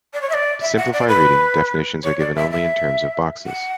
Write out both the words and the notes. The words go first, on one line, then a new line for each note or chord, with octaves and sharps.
To simplify reading, definitions are given only in terms of boxes.
D5
C#5
E5
D5
E5
F#5
D5
B4
C#5
D5
E5
E5
F#5